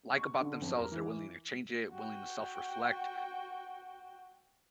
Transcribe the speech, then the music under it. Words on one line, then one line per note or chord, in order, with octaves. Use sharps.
like about themselves, they're willing to change it, willing to self-reflect
C#6
D3
F2
A#4
E3
F#4 G5